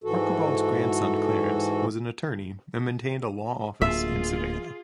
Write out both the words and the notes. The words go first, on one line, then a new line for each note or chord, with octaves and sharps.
Archibald's grandson, Clarance, was an attorney and maintained a law office in Savannah.
G#2 E3 F#4 A4
D1 D2 A#3 F4 G#4 E5